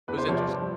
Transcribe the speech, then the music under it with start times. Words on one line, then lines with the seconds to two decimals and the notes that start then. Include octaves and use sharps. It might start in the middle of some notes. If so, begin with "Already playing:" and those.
It was interesting.
0.08 E2 B4
0.18 C5
0.28 C3 F3 C#5
0.38 D5
0.47 G2